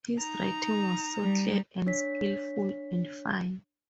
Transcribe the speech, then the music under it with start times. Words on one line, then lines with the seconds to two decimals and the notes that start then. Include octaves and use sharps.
His writing was so clear, and skillful, and fine.
0.19 D#4 A#5
1.20 G3
1.86 D4 C#5 B6